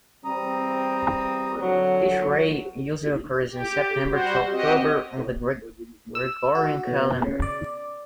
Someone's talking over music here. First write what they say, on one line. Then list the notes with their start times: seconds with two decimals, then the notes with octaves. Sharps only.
Tishrei usually occurs in September-October on the Gregorian calendar.
0.25 E2 C3 G3 C4 A#5 D#6
1.60 D3 F#3
3.51 G4
4.09 G3 F#4 C5
4.51 C4 F#4 G4 D#5
6.15 E6
6.55 F#4
6.87 B2
7.24 C#3
7.42 D5